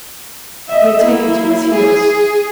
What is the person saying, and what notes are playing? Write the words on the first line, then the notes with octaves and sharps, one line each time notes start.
He had taken to his heels.
D#5 E5
A#3 E4
G#4